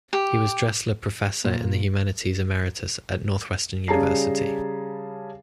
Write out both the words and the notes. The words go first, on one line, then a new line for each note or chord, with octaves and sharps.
He was Dressler Professor in the Humanities Emeritus at Northwestern University.
G4
A#2
C#3 G3 G#4 A5 A#5 C7